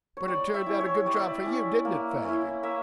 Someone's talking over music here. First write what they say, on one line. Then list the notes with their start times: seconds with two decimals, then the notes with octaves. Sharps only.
But it turned out a good job for you; didn't it, Fagin!
0.17 C#5
0.28 G3 D5
0.54 E5
0.66 C#4 E4
0.80 C#5
1.06 G3 D5
1.14 E5
1.22 D5
1.46 C#4 E4
1.85 A#3
2.24 C#4 E4
2.63 A#3 E5